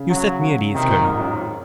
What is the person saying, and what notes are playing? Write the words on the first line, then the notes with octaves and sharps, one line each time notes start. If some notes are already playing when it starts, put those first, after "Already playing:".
"You set me at ease, Colonel."
Already playing: C#3
F#3
C3 D#3
A#2
G#2
G#2
F#2
F2